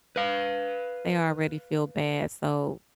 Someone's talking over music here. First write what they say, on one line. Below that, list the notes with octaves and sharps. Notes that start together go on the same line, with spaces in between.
They already feel bad, so
B4 F5